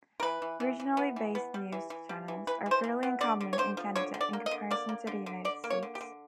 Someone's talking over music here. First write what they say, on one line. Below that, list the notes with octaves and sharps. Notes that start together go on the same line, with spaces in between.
Regionally-based news channels are fairly uncommon in Canada in comparison to the United States.
A#4
E3 B4
E3
E3
E3
B3
E3
B3
G3
E3
E3
G3
E3
E3 B4
E3
C5
E3
B3
D3 D5
D3
C#5
D3 C5
F3
D3 C#5
D3
D5
A#3
D#5
D3
A#3 D5
A#3
D3
D3
D3 D5
A#3
C#5
D3
G4
D3